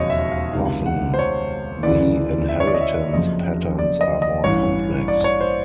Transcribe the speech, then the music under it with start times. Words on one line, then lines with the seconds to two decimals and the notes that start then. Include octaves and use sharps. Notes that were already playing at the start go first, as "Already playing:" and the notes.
Often, the inheritance patterns are more complex.
Already playing: E1 D#2 C#3 F3 C#5 D#5
0.10 E5
0.32 F5
0.53 C#2 C3 D#3 F5
0.86 F#5
1.14 C5
1.19 C#5
1.83 D2 C#3 E3 D5
2.49 E5
2.60 C#5
2.67 D5
2.74 D#5
2.81 E5
3.13 F#1 F2 C#3 F3 D#5
3.79 D5
4.01 D#5
4.22 D#5
4.43 A1 G2 E3 C#5
5.08 D5
5.24 C#5
5.41 C5